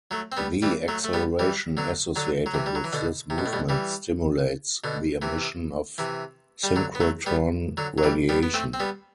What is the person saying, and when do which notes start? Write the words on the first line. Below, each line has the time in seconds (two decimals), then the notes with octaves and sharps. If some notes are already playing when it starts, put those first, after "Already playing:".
The acceleration associated with this movement stimulates the emission of synchrotron radiation.
0.11 F#3 A3
0.32 C4
0.37 G3 B3
0.62 E3 G3
0.88 F#3 A3
1.04 A3
1.13 G3 B3
1.39 E3 G3
1.77 D3 F#3
2.16 D3 F#3
2.46 F#3
2.54 C3 E3
2.66 G3
2.75 F#3
2.84 E3
2.92 B2 D3
3.30 C3
3.38 B2
3.46 A2
3.53 G2 B2
3.69 E3 G3
4.84 B2 D3
5.22 C3 E3
5.98 C3 E3
6.63 G3
6.76 D3 F#3
6.95 B3
7.00 F#3 A3
7.26 G3 B3
7.77 D3 F#3
7.98 F#3
8.03 E3 G3
8.29 G3 B3
8.43 B3
8.54 A3 C4
8.74 C4
8.80 G3 B3